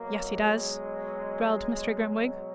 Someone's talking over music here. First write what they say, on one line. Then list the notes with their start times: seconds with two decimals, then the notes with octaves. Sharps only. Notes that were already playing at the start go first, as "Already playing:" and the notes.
'Yes, he does,' growled Mr. Grimwig.
Already playing: B2 F#3 A#3
0.29 G#3